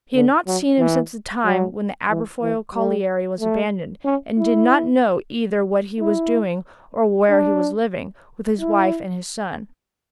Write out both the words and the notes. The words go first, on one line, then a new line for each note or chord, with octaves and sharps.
He had not seen him since the time when the Aberfoyle colliery was abandoned, and did not know either what he was doing or where he was living, with his wife and his son.
D3
F#3
E3
F#3
E3
E3
G3
A3
C#4
E4
E4
D4
E4